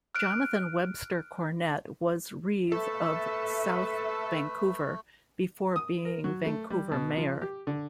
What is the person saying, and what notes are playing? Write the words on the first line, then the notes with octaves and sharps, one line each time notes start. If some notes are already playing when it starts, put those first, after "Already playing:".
Jonathan Webster Cornett was reeve of South Vancouver before being Vancouver mayor.
F6 F#6 D7
A3 A4 B4 E5
D#6
A#4
F#3
A3
G3
B2
F3
G4
D3